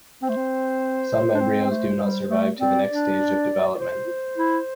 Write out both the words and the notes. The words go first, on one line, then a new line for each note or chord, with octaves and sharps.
Some embryos do not survive to the next stage of development.
C4 C5
A3
C4
D4
C4
C4
A3
G3
A3
C4 D5
D4
D5
C5
E4